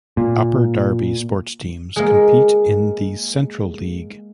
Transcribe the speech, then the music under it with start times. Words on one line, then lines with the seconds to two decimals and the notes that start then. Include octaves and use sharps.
Upper Darby sports teams compete in the Central League.
0.17 A#2
1.96 G#3 A#3